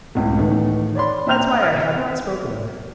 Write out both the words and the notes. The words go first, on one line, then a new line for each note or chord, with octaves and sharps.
That's why I had not spoken of it.
C#2 A2
A2 D#3 E3 A3 B3
C#5 D5 B5 C6
A#2 E5 A#5 F6 G6 F7
F6 B6